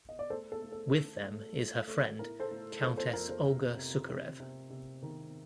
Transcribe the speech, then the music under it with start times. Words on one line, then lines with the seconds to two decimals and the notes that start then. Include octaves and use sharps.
With them is her friend, Countess Olga Sukarev.
0.09 D#5
0.19 D5
0.30 A3 A4 C5
0.52 A4
0.62 A3
0.72 A4
0.93 A3
1.25 A3
1.56 A3
1.88 A3
2.19 A2 A#4
2.40 A4 C5
2.51 A2
2.82 F3 A4 C5
2.97 A4 C5
3.13 F2 A#4
3.29 A4 C5
3.44 C3
3.77 C3
4.08 C3
4.40 C3
4.70 C3
5.03 D#3